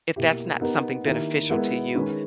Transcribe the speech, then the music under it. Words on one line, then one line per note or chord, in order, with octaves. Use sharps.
if that's not something beneficial to you,
B2 A#3 E4 G4
B3 D#4 G4 A#4
D#3 A#3 E4 G4
G#3 B3 E4 A#4 E5
D#3 G#3 C#4 G#4 B4